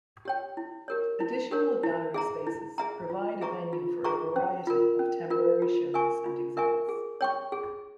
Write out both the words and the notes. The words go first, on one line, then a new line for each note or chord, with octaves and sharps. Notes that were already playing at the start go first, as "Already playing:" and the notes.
Additional gallery spaces provide a venue for a variety of temporary shows and exhibits.
G4 C#5 G5
E4
G4 A#4 C#5
E4
G4 A#4 C#5
E4
G#4 E5 A#5
E4
G#4 E5 A#5
F4
G#4 E5 A#5 C#6
F4
G#4 E5 A#5 C#6
C#4
F4 A#4
C#4
F4 A#4
F4
A#4 E5 G#5 C#6
F4
A#4 E5 G#5 C#6
G#4
C#5 G5 C#6
G#4